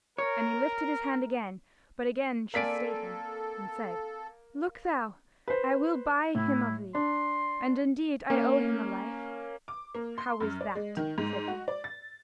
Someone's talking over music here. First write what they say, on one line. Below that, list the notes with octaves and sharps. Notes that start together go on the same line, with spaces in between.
And he lifted his hand again, but again she stayed him, and said: "Look thou, I will buy him of thee: and, indeed, I owe him a life." "How is that?" said he.
A#4 C#5
A#3 C4 A4 D5 G#5 B6 D7
B4 C5
A2 E4
D4 C6
A#3 C#4
D6
A#3
C6
F#2
D5
G#3
D#3
G#2
F#4
D5
A6